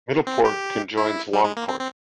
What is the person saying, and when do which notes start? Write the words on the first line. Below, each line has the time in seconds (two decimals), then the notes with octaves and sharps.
Middleport conjoins Longport.
0.27 C4
0.45 G4
0.97 E4
1.33 G3
1.44 G#3
1.57 A#3
1.69 C4
1.80 C4